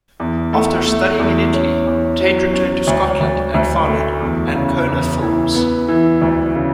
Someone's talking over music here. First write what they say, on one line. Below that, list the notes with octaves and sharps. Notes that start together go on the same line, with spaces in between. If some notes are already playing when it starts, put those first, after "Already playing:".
After studying in Italy, Tait returned to Scotland and founded Ancona Films.
E2
A3
A3
E2
C#4
E2
F#3
C#4
D2
D2
D2
A3
E2
C#3
E2
E3
B3
E3
D2
C#3